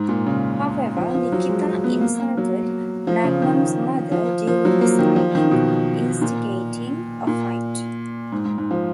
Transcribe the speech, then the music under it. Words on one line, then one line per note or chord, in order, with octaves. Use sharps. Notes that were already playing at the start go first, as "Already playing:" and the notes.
However, Nikita insulted Magnum's mother during the signing, instigating a fight.
Already playing: G#2
A#2
C#3
F3
F3
F#3
G#3
B3
A#3
A#3
F#3
F3
C#3
D#3
F3
F3
F#3
A#3
D#3
F3
D#3
B2
A#2
A#2
G#2
G#2
G#2
F3